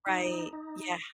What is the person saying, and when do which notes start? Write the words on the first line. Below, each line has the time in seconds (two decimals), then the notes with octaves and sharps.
Right, yeah.
0.06 D#4
0.53 D#4